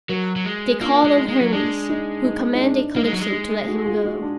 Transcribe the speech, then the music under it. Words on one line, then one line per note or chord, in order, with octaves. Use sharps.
They called on Hermes, who commanded Calypso to let him go.
F#3 F#4 A#4
F#3
G#3
A#3 D4 F4
G#3
D#4
G#3
F#3
G#3 D4
D#4
D#4
D#4
D4
A#3 D#4
G#3
F#3
G#3
D#4
D#4 F#4
F4 G#4
D#4 F#4
D4